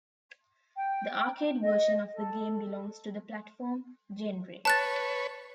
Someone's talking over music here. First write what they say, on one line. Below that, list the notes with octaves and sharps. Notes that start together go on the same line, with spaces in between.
The arcade version of the game belongs to the platform genre.
G5
D#5
A4
B4 C#5 A5 F#6 A6